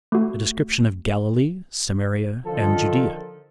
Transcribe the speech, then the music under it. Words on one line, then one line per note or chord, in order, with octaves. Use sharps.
A Description Of Galilee, Samaria, And Judea.
A3 F#4
D3 D#3 F3 A4